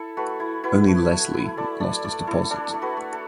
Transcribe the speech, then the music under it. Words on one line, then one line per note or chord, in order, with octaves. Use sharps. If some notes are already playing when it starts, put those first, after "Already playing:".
Only Leslie lost his deposit.
Already playing: E4 A4
A3 F#4 B4
E4
E4 F#4 B4
A3
A3
E4
E4 A4 D5
A3 A4 D5
A3 A4 D5
E4 A4
D4 A4 D5
A3
F#4 B4
A3
A4